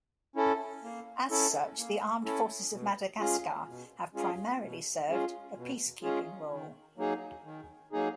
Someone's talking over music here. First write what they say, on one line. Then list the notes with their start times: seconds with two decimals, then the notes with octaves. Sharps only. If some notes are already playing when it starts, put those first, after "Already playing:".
As such the armed forces of Madagascar have primarily served a peace-keeping role.
0.36 C#4 E4 A4
0.83 A#3
1.30 C#4 E4 A4
1.78 A#3
2.25 C#4 E4 A4
2.72 B2
3.19 G#3 C#4 F4 G#4
3.67 B2
4.14 G#3 C#4 F4 G#4
4.61 B2
5.08 G#3 C#4 F4 G#4
5.56 B2
6.03 G#3 C#4 F4 G#4
6.50 D#3
6.97 F#3 A#3 D#4 G#4
7.44 D#3
7.92 F#3 A#3 D#4 G#4